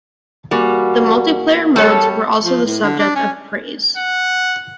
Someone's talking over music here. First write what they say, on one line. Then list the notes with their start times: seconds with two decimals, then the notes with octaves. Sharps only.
The multiplayer modes were also the subject of praise.
0.51 E2 G3 A#3 F#4
1.76 G3 A4 C#5
2.45 F3
2.66 A2
2.83 D3
2.99 D4
3.16 C#4
3.98 F#5